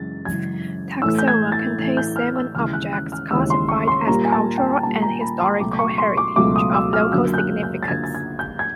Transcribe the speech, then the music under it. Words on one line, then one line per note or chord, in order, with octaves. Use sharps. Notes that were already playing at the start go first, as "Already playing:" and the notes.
Toksovo contains seven objects classified as cultural and historical heritage of local significance.
Already playing: F#2 C#3 E3 G#3 A6
F#2 C#3 E3 G#3 G#6
A2 E3 A3 E6
G6
G#6
A6
A2 E3 A3
G6
F6
E6
D#2 C#3 E3 G#3 F6
F#6
F#6
F6
D#2 C#3 E3 G#3 E6
C6
C#6
C6
A#2 G3 A#3 A#5
G#5
A5
G5
A#2 G3 A#3 A5
A#5
B5
C6
C#2 B2 F#3 A3 D6
C#6
C6
D6
C#2 B2 F#3 A3 D6
D#6
E6
F6
F#2 D3 F#3 A#3 E6
G6
F#6
G6
A6
F#2 D3 F#3 A#3 G#6
A6
G#6
G6
G#6